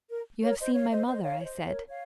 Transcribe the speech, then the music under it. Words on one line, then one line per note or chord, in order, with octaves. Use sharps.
"You have seen my mother," I said.
A#4
A#4 C#5
C5 D#5
C#5 F5
C5 D#5
C5 D#5
C#5 F5
C#5
C5 D#5
A#4 C#5
C#5 F5